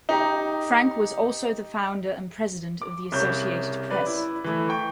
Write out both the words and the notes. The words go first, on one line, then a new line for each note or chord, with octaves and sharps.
Frank was also the founder and president of the Associated Press.
D#4 G4 A#5
D6
C2 C#3 C#5 G6
B4 D5
E4
E3 A3 E4
G5 C#6